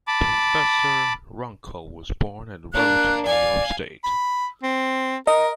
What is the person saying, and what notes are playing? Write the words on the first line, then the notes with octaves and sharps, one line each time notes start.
Professor Runkle was born at Root, New York State.
A5 B5 D6
A#3 D4 F#6
D5 F5 G#5
B5
C4
A#4 D#5